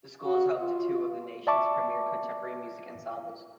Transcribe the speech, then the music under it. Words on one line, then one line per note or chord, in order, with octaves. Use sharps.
The school is home to two of the nation's premier contemporary music ensembles.
F#4
F4
D5 E5 A5 C#6 D6